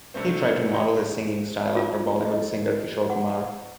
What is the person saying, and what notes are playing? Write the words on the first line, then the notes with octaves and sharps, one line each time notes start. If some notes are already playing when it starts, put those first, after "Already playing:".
He tried to model his singing style after Bollywood singer Kishore Kumar.
G2 C3 G3 A3 C4
C#5 D#5 G5
F4
D#5
F#5